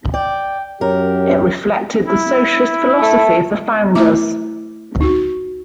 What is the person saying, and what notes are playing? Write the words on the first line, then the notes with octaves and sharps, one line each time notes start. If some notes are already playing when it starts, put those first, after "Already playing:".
It reflected the socialist philosophy of the founders.
D5 G5
F#2 G4 A#4 C#5
E4
A3
A3 E4 E5 A#5 D6
D#4 F#4